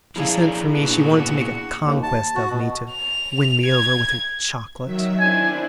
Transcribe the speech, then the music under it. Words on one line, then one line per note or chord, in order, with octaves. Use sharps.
She sent for me, she wanted to make a conquest of me, to win me over with her chocolate....
F3 C#4 D4 E4 G#4 F5 A#5
A#2 B3 D4 F#4
D#2
A5
F#4
B2
F7
G#6
D#3 F#3 E5
C4 D4 E4 G#5